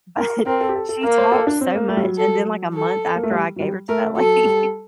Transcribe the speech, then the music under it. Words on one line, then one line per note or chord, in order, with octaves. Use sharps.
But she talked so much, and then, like, a month after I gave her to that lady,
A#4
C4 A#4
A4
G4
A4
A4
A#3 A#4
C5
A4
D4
C4
A#3
A3
G3
F#3
A4
A4
A#3
A3
G3
F#3
G3
A3 A#4
F#3 A4
G3